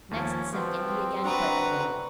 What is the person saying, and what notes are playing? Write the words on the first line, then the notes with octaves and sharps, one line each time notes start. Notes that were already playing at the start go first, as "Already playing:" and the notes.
Next second he again quit the room.
D#2 F3 C#4
F3 G3 C4 F#4 B4
D4 F#4 B4 A#5 D#6